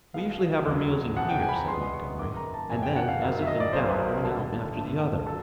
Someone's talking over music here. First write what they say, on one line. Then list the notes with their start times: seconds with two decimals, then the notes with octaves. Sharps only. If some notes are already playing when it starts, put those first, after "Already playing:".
"We usually have our meals in here," said Montgomery, and then, as if in doubt, went out after the other.
0.14 B1 B2 G#3 B3 F5
0.65 E1 D#2 C#3 F#3
1.17 E2 C3 F3 F#5
1.29 G5
1.42 G#5
1.49 B5
1.55 A#5
1.68 C2 B2 G#3 B3 C6
1.83 C6
1.94 C#6
2.19 F#1 F#2 D#3 D6
2.37 A#5
2.54 A5
2.70 F#1 F2 C3 E3 G#5
2.83 G5
2.96 F#5
3.08 F5
3.22 F#1 F#2 D#3 F#3 F5
3.42 E5
3.47 D#5
3.60 D5
3.73 B1 B2 F#3 A#3 C5
3.88 B4
3.99 A#4
4.24 D#2 D3 G3 B3 A4
4.75 G1 G2 D3 F3 A3
5.26 F#3 A4